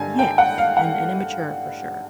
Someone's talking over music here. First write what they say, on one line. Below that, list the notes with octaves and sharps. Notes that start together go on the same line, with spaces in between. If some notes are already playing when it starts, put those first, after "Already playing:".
Yes, and and immature for sure.
Already playing: G2 D3 G3 G#5
G5
F#5
F5
F#5